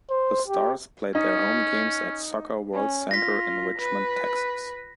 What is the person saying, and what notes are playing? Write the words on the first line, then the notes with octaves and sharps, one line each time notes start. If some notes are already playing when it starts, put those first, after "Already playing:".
The Stars played their home games at Soccer World Center in Richmond, Texas.
C5
G4
C#4 D#4
C#4
F4 A#6 B6
B4